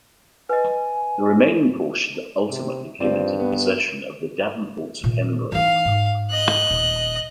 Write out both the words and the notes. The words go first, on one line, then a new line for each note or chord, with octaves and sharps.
The remaining portion ultimately came into the possession of the Davenports of Henbury.
B4 D#5 G#5
C3
G2 C4 F4 D5
B3
A#2 D#3
E3 D#4 F5
G#2
D#5 F#6
D#1